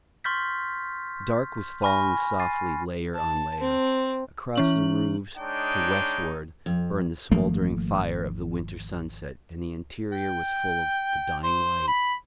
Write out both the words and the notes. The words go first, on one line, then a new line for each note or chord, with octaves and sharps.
The dark was falling softly layer on layer; across the roofs to westward burned the smouldering fire of the winter sunset, and the interior was full of the dying light.
C6 C#6 F6 G6 A6 B6
G#5 B5 C#6 F6 A#6
G#5 A6 C7
A5
C4
E3 C#4 F#7
G#3 D4 D#4 C#5 G5
F2
G#1 F3 A3 A#3
G5
C5
B5